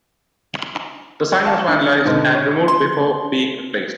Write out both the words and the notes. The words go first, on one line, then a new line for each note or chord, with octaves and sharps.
The sign was vandalized and removed before being replaced.
F5 A5 C#6
D4
G#2 B2 D3 D#3 C4 D#4
C#5
C6